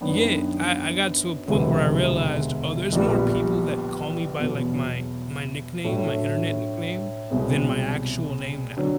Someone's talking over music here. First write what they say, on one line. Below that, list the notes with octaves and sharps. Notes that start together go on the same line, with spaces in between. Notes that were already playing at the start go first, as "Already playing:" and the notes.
Yeah. I I got to a point where I realized, oh, there's more people that call me by, like, my my nickname, my Internet nickname than my actual name now.
F#2 D#3 F#3 B3 D4
E1 D2 C3 E3
A#1 A#2 G3 B3
E2 B2 F#3
A2 F#3 A3 D4
C2 B2 G#3 C4
D3 F#3